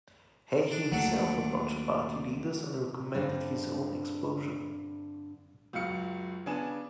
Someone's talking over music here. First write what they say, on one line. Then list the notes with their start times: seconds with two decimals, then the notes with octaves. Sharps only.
Hay himself approached Party leaders and recommended his own expulsion.
0.71 D4
0.92 D#2 F#3 A3 D4
3.14 G2 D3 A3 C4 D4 F4
5.73 C#2 F#2 F#4 F5 C#7
6.46 C#3 B3 D4 G#5 E7